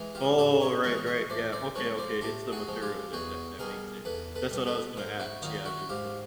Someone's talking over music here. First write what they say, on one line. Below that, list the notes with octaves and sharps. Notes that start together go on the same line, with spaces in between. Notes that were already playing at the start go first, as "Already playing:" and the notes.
Oh, right, right yeah, okay, okay, it's the material, then, that that makes it that's what I was gonna ask see how big was
Already playing: E3 G#3
F4 G4
A2 G4 A4
B4 C#5
E3 G#3 B4 C#5
C#5 D#5
A2 C5 D5
C5 D5
F3 G#3 B4 C#5
C5 D5
A2 G4 A4
F#4 G#4
F3 G#3
F4 G4
E2 F#4 G#4
B2 G3 G#4 A#4
E2 A4 B4
A4 B4
B2 G3
A4 B4
G#2 A#4 C5
E4 F#4
D#3 F#3 D#4 F4
E4 F#4
G#2 F4 G4